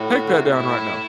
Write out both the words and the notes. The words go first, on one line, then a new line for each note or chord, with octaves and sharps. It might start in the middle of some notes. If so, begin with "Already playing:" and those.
Take that down right now.
Already playing: A2 F#4
D3
C3
B2
A2 E4